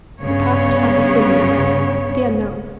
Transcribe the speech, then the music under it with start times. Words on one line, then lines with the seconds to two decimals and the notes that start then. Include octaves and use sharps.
The past has a synonym, the unknown.
0.21 G2 C#3 B3 C#5